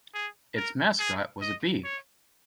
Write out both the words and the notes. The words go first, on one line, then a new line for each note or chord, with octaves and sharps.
Its mascot was a bee.
G#4
A#4
G#4
D#5
C#5